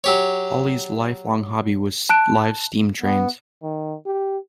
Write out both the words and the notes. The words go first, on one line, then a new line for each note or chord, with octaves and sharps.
Ollie's lifelong hobby was live steam trains.
F#3 G4 C#5
A5 F#6 D7
B3
D#3
G4